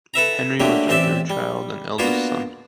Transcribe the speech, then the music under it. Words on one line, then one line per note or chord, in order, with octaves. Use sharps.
Henry was their third child and eldest son.
A4 B4 E5 A#5
D3 F#3 A3 A#3 G4
A1 C4 G4 D5 E5
G3
A#3 B3 D4 F4 F#4